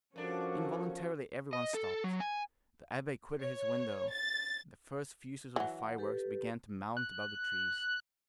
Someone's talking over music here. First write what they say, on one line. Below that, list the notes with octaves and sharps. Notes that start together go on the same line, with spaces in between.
Involuntarily every one stopped; the abbe quitted his window; the first fuses of the fireworks began to mount above the trees.
G2 F3 C#4 D4 F#4 A4 A#4
D#5
A4
F#3
G#5
C#5
A6
E3 F#3 F#5
G4 A4 B4
F#6